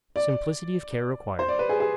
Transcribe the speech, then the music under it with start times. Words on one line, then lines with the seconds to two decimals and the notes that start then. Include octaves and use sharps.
Simplicity of care required.
0.16 D5
1.39 C5
1.49 D5
1.59 B4
1.69 G#4
1.80 G#4